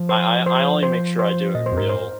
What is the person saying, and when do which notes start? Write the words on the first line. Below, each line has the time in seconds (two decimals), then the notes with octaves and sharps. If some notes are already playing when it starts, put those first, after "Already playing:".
I I I only make sure I do it in real,
Already playing: F3
0.09 C5
0.46 C5
0.83 C5
1.19 C5
1.55 A#2 D#5
1.66 C5
1.72 F2
1.77 G#2 A#4
1.89 C5